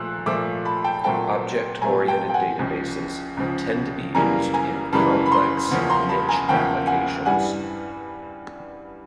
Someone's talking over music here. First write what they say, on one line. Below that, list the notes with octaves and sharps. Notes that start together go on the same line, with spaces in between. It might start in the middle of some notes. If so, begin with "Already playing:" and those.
Object-oriented databases tend to be used in complex, niche applications.
Already playing: A#2 F3 A3 E6 F#6
A#2 F3 A3 D6 E6
A5 B5
G5 A5
A#2 F#3 A3 C4 G5 A5
A#2 F#3 A3 C4 G#5 A#5
G5 A5
G5
F#5 G#5
C#2 C#3 F3
C#2 C#3 F3
F#2 C#3 E3 G3 A#3 G#5 A#5
G#5 A#5
F#2 C#3 E3 G3 A#3 A5 B5
B5
A#5 C6
E2 C#3 F3 A#3 C#4
A#5 C6
A5 B5
G#5 A#5
E2 C#3 F3 A#3 C#4 G5 A5
F#5 G#5
G2 E3 G3 F#5 G#5